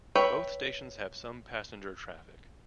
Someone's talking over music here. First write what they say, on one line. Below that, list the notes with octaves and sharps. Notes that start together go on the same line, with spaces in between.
Both stations have some passenger traffic.
B4 C#5 E5 G5